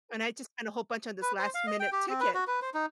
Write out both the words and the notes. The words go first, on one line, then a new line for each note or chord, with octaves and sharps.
And I just spent a whole bunch on this last minute ticket.
B4
C5
F5
D#5
G5
G4
C4
B4
F#4
B4
C5
D#4